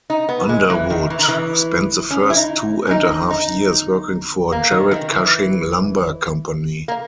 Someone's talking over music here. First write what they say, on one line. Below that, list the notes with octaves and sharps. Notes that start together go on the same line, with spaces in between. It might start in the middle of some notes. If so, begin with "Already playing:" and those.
Underwood spent the first two and a half years working for Jarrett-Cushing Lumber Company.
D#4
B3
G#3
E3
D#3
E3
D#3
E3
C#4
E4
D#4
C#4
D#4
D#4
A#3
D#3
D#3
E3
A#3